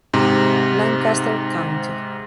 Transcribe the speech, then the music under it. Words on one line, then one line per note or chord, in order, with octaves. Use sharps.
Lancaster county.
G#2 C3